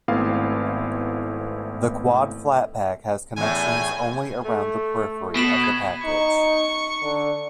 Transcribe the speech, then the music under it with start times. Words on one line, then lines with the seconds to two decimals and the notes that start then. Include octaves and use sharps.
The quad flat-pack has connections only around the periphery of the package.
0.08 G#1 A3 B3 C4 E4 F5
3.37 E2 A2 G#5
4.45 A3
5.36 B2 B6 E7 F#7
5.64 G#6
6.04 D#4 C#6
7.03 D3